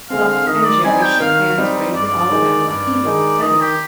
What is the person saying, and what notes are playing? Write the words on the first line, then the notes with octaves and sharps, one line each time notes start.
Bluff and Jerry shook hands gravely all around, even with Teddy.
D3 G#3 C4 F5
F5
D#3 D#5
D5
G3 C4 D#4 G#5
G5
D#3 F5
G3 C4 D#4
G2 D5
D#3 G#3 D#4
G2 D5
D#3 G#3 D#4
D#3 D#5
G4